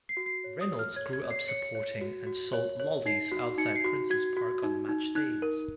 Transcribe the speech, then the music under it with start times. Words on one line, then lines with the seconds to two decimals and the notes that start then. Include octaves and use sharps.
Reynolds grew up supporting and sold lollies outside Princes Park on match days.
0.09 C7
0.17 F#4
0.26 C7
0.44 C#5
0.61 D#6
0.70 C#5
0.79 F6
0.96 C#5 G#6
1.13 G#6
1.23 C#5
1.31 C7
1.48 C#5 C#7
1.75 C#5
2.01 F#4
2.27 F#4
2.53 C#5
2.80 C#5
3.06 D#4 C7
3.32 F#4
3.58 D#4 C#7
3.76 C7
3.84 F#4
4.10 F#4 G#6
4.37 F#4
4.64 D#4
4.89 D#4
5.15 D#4 F#6
5.42 A#4